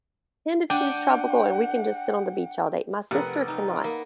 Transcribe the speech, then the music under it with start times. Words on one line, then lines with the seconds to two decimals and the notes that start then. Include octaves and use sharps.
tend to choose tropical, and we can just sit on the beach all day, my sister can not,
0.70 D4 F#5 G5 G6 D#7
3.11 F1 A#4 B4 F#5
3.48 D#4
3.84 A#3 B3